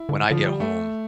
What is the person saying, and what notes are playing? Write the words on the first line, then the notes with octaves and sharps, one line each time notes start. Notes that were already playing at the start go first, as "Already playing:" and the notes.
when I get home,
Already playing: E4
D3
D3 F3
G3
A3